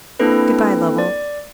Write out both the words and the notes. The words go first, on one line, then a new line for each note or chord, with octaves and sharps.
Good-bye, Lovell.
A#3 C4 D4 E4 A4 B4
D5